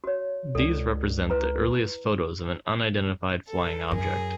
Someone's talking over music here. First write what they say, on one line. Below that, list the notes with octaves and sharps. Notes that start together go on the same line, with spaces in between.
These represent the earliest photos of an unidentified flying object.
F#4 C#5
C#2 A4 D5
E4 B4 A#5
A4
F#2 G#4 A#4